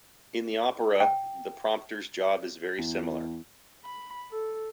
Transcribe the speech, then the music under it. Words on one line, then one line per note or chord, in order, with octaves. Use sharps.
In the opera, the prompter’s job is very similar.
G5
E2
B5
A4